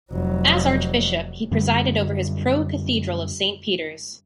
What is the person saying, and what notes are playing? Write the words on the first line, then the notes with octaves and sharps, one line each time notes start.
As Archbishop, he presided over his pro-cathedral of Saint Peter's.
F1 F#3
F#2 D3 G3